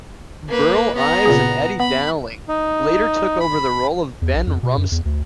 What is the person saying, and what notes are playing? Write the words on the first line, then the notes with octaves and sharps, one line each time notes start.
Burl Ives and Eddie Dowling later took over the role of Ben Rumson.
A#3 B4
B3 A#5
A#2 C#3 G#4
B3 B5
D#4
B5
E2
A#1
F2
B2
F#2
E2
D2